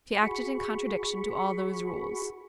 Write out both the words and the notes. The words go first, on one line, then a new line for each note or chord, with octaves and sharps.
She acted in contradiction to all those rules.
F#4 G#4 B5 C#6